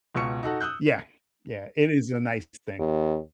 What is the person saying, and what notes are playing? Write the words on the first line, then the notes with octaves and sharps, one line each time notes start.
Yeah. Yeah, it is a nice thing.
C#2 B2 C#6 C#7
D#4 F#4 A4 F#5
D#6 E6 F#6 G6
D#2